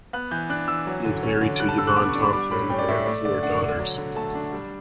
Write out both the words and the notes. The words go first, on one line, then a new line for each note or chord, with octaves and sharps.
He is married to Yvonne Thomson and they have four daughters.
B3 F#6
E3 G6
D4 F#6
E3 E6
F#3
D3
C#4
D3
G3 F#6
A5
D3 E6
F#6
B3 D6
C#6
D4
B5
G3 D6
A2 B5
C#4 G5
D5
A2 E5
A3 D5
D3 D5
D4 F#5
D3
F#3
D3
A3 A5
D4
G3